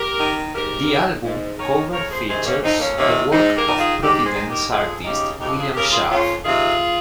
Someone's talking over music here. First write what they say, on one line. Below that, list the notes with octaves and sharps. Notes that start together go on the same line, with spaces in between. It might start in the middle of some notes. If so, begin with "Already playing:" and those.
The album cover features the work of Providence artist William Schaff.
Already playing: G4 A#4
D#3
G#2 G4 A#4
D#3
G#2
D#3 A#4 C#5
F2 A#4 C#5
G#4 C5
C3 D#3 G#4 C5
A#3 C#4
F2 C4 D#4
A#3 C#4
C3 D#3 A#3 C#4
G#2 C4 D#4
G4 A#4
D#3
F4 G#4
G#2 D#4 G4
G#4 C5
D#3
G4 A#4
F2 F4 G#4
C#3 D#4 G4
F2 D#4 G4
F4 G#4
C#3 G4 A#4
F4 G#4
F2 C#4 F4
C3 D#3 F4 G#4